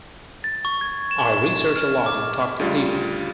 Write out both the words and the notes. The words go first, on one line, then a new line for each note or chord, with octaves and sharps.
I research a lot and talk to people.
A6
C#6
G#6
E7
F6
D6
D2 C#3 G3 F4